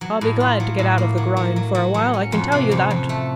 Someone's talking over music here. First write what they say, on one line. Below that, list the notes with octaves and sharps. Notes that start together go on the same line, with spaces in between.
I'll be glad to get out of the grind for a while, I can tell you that.
F#3
A2
F4
F#3
A2
A#3
F#3
F#3
F#3
F#3
F#3
C#4
F2
C3
F2
F2
A3